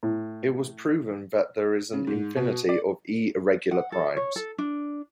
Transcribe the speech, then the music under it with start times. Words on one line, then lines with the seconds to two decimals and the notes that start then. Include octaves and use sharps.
It was proven that there is an infinity of E-irregular primes.
0.03 A2
1.93 C#3
2.07 G#2
2.36 B2
2.69 D5
3.71 F#5
3.92 A4
4.17 C#5
4.36 A4
4.58 D4